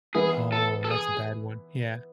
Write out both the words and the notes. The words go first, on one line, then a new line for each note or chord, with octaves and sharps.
Oh, that's a bad one, yeah.
E3 B3 E4 G#4
A4
A4
G#4